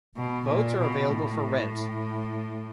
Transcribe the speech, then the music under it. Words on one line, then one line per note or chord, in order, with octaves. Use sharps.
Boats are available for rent.
B2
A#2
B2
A2